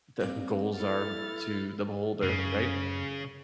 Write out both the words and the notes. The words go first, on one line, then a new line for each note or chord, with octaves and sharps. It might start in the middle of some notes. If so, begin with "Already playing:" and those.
the goals are to the beholder. Right?
A#1 G3 C4 F5
E4 A4 F6 A6
F#2 C#3